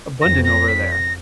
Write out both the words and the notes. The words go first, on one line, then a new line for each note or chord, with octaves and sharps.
abundant over there.
F2 A#6
A#6
B6
A#6